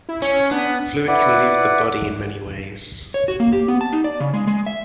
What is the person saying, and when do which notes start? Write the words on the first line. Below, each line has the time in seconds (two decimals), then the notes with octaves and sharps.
Fluid can leave the body in many ways.
0.09 E4
0.22 C#4 C#5
0.51 B3 D4
1.08 E4 B4 D5 F#5
3.14 C#5
3.28 F#4
3.40 A#3
3.53 G4
3.68 B3
3.81 A5
3.93 D#4
4.04 D5
4.20 C#3
4.34 G#3
4.47 G#3
4.66 E5